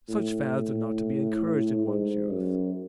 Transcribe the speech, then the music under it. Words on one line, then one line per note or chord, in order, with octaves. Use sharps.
Such fads are not to be encouraged in one's youth.
A2
G#2
F#2